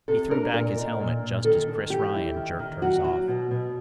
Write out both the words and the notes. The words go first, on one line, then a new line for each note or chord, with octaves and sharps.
He threw back his helmet just as Chris Ryan jerked hers off.
C3 A4
D4 A#4
A#2 A#4
D#4
A#2
A#2
D#3 A4
D#3
E3 G4
E4
D#3
D#3
F#3 F#4
F#3 F#4
B2
B2